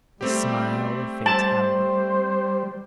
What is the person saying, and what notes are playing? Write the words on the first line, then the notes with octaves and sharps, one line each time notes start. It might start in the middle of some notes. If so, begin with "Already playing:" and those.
The smile of Fatality!
G3 A3 C4 G4
G3 C5 A5